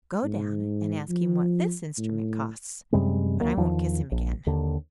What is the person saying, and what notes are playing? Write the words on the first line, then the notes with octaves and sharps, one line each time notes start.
Go down and ask him what this instrument costs; but I won't kiss him again.'
G#2
F3
A2
F#2 C3 G3 G#3
D2 F#3 A#3
E2 D#3 F3
A#1
D#2 D3